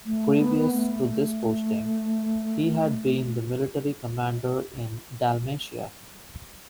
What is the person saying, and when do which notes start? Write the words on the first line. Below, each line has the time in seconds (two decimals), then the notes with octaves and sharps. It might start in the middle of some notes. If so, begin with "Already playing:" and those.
Previous to this posting, he had been the military commander in Dalmatia.
0.05 A3
0.39 B3
0.73 A3